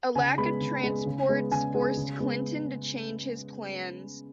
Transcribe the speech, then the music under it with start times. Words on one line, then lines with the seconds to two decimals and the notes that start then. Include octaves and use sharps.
A lack of transports forced Clinton to change his plans.
0.15 C#3 G#5
0.38 G#3 B3 B5
0.61 C#3
0.83 G#3 B3
1.06 C#3
1.29 G#3 B3
1.51 C#3 G#5
1.75 G#3 B3
1.97 C#3
2.20 G#3 B3